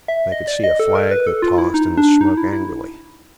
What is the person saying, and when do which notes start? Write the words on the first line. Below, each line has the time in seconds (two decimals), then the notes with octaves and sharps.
They could see a flag that tossed in the smoke angrily.
0.08 E5
0.32 D#5
0.48 D5
0.64 D#5
0.80 A4
0.95 A#4
1.11 B4
1.27 A4
1.42 F4
1.58 E4
1.74 D#4
1.97 D4
2.21 D#4
2.37 E4
2.53 E4